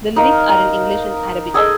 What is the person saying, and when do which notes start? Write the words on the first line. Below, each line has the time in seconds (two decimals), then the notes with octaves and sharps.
The lyrics are in English and Arabic.
0.16 D#4 A#4 F5
0.49 A#5
1.54 G#4 A4 D#5